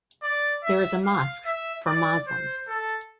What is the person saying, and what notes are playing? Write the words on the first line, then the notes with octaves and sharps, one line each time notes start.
There is a Mosque for Moslems.
D5
E5
F5
E5
D5
C5
A4